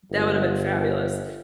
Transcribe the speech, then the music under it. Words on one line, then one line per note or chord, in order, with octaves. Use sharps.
That would have been fabulous.
G1